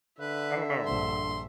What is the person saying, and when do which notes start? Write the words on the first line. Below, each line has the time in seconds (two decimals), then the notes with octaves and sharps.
I don't know.
0.20 D3 B4 E5
0.86 A#1 G2 C6